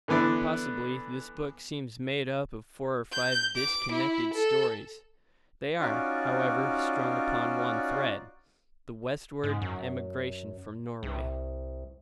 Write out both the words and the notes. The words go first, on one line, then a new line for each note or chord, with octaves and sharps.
Possibly this book seems made up of four or five disconnected stories. They are, however, strung upon one thread,--the westward emigration from Norway.
D3 E3 B3 D4 E4
G6
D6
E4
A4
C#4 D#4 F4 F#4 D5
G#2
F#2
C2